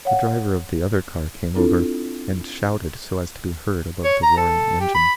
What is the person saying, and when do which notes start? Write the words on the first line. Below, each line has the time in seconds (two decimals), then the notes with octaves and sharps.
The driver of the other car came over, and shouted so as to be heard above the roaring engine.
0.05 C#5 F5 F#5
1.55 C4 D4 E4 F4 A4
4.04 C#5
4.23 A#5
4.37 A4
4.80 G4
4.95 B5